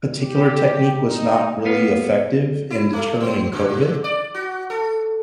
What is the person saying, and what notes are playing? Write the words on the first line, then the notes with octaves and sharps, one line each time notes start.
particular technique was not really effective in determining COVID.
G4
D#4
B3 B4 F5
E4
A3
B3
C#3
D5
F#4
A4